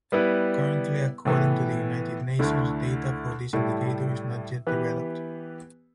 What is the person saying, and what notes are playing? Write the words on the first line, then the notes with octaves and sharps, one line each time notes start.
Currently according to the United Nations data for this indicator is not yet developed.
G3 B3 E4 B4
A2 E3 B3
D2 D3 A3 E4
A2 G3 E4 A4
E3 B3 G4 B4